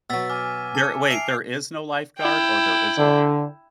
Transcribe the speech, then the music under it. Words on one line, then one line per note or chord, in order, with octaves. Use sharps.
There wait, there is no lifeguard or there is a li
B2 F#3 E6 A6 B6
G#5 D6 F6
A5 C#7
E5 C7 D7 F7
E4 G5
D3